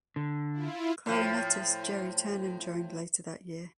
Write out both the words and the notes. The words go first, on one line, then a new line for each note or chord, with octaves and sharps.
Clarinettist Gerry Turnham joined later that year.
D3
E4 F4
A2 F3